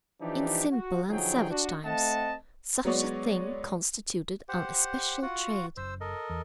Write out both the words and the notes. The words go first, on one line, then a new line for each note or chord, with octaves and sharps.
In simple and savage times such a thing constituted an especial trade.
E3 F3 D4 D#4 G4
F#4
D3 F3 F#3 D#4 G#4 G5
D4 F#4
A3 C4 D#5 F#5 A5
F#3 G#3 B3 C#5 D5
G4 C5 F#5
F4 F#4 F#5
F#1 C5 E6
A4 A#4 D#5
E2